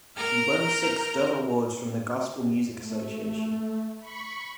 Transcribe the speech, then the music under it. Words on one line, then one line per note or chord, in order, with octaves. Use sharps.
She won six Dove Awards from the Gospel Music Association.
A#4 A#5 F6 G6
A3
B5 C#6